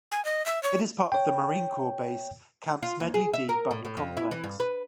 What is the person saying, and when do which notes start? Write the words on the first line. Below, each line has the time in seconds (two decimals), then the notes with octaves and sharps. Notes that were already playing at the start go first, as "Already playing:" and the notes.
It is part of the Marine Corps Base Camp Smedley D. Butler complex.
0.12 G#5
0.25 D#5
0.46 E5
0.63 C#5
1.12 C#5 G5
2.83 F4
3.00 D#2
3.14 G#4
3.33 E5
3.49 A#4
3.71 A2
3.85 A2
3.97 F2
4.17 E4
4.31 E3
4.44 G2
4.60 B4